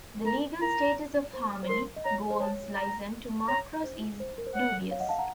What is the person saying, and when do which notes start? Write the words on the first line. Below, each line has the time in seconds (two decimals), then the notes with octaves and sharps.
The legal status of Harmony Gold's license to Macross is dubious.
0.26 A#4 A#5
0.62 A#4 A#5
1.34 C5
1.63 C5
1.69 A#4 C6
1.96 D#5
2.05 C#5 A#5
2.30 C5
2.40 C#5 A5
2.76 A#5
3.48 C#5 A#5
3.84 C5
4.20 C5
4.38 A#4
4.46 C5
4.55 C#5 F#5
4.91 C#5 F5
5.00 D#5 F#5
5.09 F5 A5
5.19 F#5 A#5